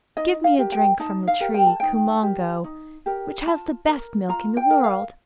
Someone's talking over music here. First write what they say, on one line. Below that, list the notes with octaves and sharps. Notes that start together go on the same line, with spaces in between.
Give me a drink from the tree Koumongoe, which has the best milk in the world.'
D#4 D#5
F5
G4 A#4
G5
D#4 A5
F5
G4 A#4
G5
A5
D#4 G5
G4 A#4
D#4
G4 A#4
F4 A5
A#4
F4 A#5
G5
A#4
F5